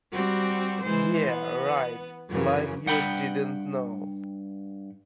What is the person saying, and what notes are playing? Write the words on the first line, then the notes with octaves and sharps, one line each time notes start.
Yeah, right, like you didn't know!
G3 C4 F#4
E3 G#3 C5
B3
F#2 C#3 E3
G2 F#5 G5 B5